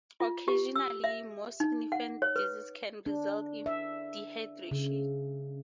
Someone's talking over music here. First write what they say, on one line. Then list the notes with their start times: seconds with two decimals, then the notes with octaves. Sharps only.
Occasionally more significant disease can result in dehydration.
0.20 F4
0.48 G4
0.76 E6
1.04 E5
1.60 D#4
1.92 F#5
2.22 C#5
2.36 B4
3.06 D4
3.66 E5
4.71 C#3